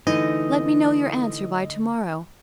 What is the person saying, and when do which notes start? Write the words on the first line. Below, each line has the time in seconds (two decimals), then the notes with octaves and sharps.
Let me know your answer by to- morrow.
0.07 D3 E3 A3 D#4 D#5